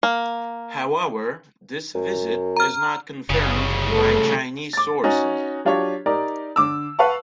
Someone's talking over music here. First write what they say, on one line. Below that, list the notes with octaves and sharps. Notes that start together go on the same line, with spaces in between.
However, this visit is not confirmed by Chinese sources.
A#3
F#2
A#5 F6
F#1 C2 C#3
A3 A4
D6 A6
C#4 D#4 F#4
F#3 D4 F4 G4 C#5
D#4 G4 A#4 D5
D3 D6 E6
B4 F5 F#5 A5 C#6